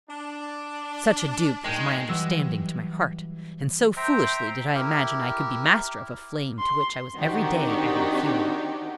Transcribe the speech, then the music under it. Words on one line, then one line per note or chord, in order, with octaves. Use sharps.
Such a dupe was my understanding to my heart, and so foolishly did I imagine I could be master of a flame to which I was every day adding fuel.
D4
D#3 G#3 G5
E3 F#3 G3 E6 A#6
C5 E5 G5 A#5
E4 G4 A#4
C6
D#3 C4 D4 D#4 F#4 G4